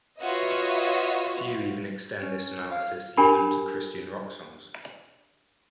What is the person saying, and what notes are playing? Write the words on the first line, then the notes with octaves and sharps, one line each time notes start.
A few even extend this analysis even to Christian rock songs.
F4 F#4 B4 C#5 D#5 E5
C#4
F5
D4 G4 A#4 G#5 B5